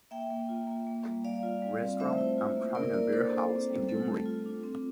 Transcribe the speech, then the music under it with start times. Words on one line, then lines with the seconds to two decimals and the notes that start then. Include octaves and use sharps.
Restaurant and prominent beerhouse in Gyumri.
0.11 A#3 E5 G5
0.31 A#3
0.49 F4
0.68 A#3
0.87 A#3
1.06 G3
1.24 G3 D5 F5
1.43 F4
1.62 G3
1.80 C4
2.00 A3 C5 E5
2.18 E4
2.38 F4
2.57 A#3
2.75 E4 A#4 D5
2.94 A#3 A#4 D5
3.13 D4 A4 C5
3.31 A#3
3.51 C4
3.70 G3
3.89 A3 A4
4.08 A3
4.26 F4
4.46 D4
4.63 C4